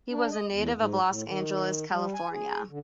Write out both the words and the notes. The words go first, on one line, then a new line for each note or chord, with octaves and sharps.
He was a native of Los Angeles, California.
D4
D#5
E2
G#2
A2
D#3
G3
G#5
G#4
D3